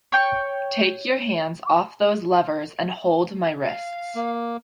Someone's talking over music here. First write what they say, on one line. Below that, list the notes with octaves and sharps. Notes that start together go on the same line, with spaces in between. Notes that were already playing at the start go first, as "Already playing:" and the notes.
Take your hands off those levers, and hold my wrists.
C#5 G5 C#6
F5
A#3